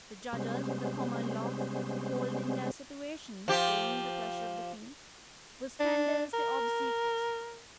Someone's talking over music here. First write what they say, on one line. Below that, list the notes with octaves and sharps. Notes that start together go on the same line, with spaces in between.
The judges of the common law, holding their situations during the pleasure of the King, were scandalously obsequious.
C3 G3 G#3 B3 C#4 C5
F3 G4
D4
A#4